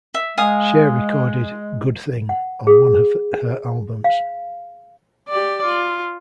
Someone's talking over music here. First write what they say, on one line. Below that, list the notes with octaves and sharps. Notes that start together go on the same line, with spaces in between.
Cher recorded "Good Thing" on one of her albums.
E5
G#3 F5 G#5 D#6
F#5
G#4
F5
G4 D5
F4